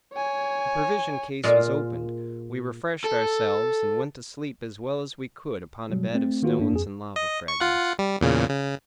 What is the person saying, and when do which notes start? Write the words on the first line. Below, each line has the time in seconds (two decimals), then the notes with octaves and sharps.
The provision case was opened; we refreshed ourselves, and went to sleep as well as we could upon a bed of stones and lava fragments.
0.14 C#5 G#5
1.43 A#2 G#3 F4 A#4 A#5
3.04 A4
5.90 B2 F#3 G3
6.13 A3 C4
6.42 D#3 A#3 F4 F#4 B4
6.59 G2 A#3 D4
6.74 F2 G#4
7.16 D#5
7.48 C#6
7.60 F4 F#5
7.99 G3
8.21 E2 A#2 C#3
8.49 C#3